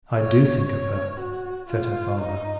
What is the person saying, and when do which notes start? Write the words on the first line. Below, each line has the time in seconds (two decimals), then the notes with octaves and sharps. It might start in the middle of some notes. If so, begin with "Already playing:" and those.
"I do think of her," said her father.
0.18 C#5
0.69 C#5
1.20 F#4
1.69 F4
2.20 D#4